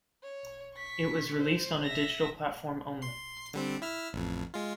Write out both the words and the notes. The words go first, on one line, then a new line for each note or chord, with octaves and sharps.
It was released on a digital platform only.
C#5
C#6 B6
C5
E5 A#6
C6 C7
D3 G3 C4
E4 E5 F6
A1 F2
G#3 F4